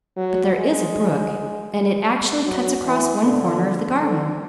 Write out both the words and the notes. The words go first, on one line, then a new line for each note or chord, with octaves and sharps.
"But there IS a brook--and it actually cuts across one corner of the garden."
F#3
G#3
F#3
E3
D3
D3